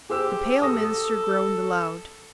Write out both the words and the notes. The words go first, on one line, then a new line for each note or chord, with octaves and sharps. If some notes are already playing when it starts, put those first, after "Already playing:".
The pale minister groaned aloud.
G4 G#4 C5 E6
A4 D#6 A#6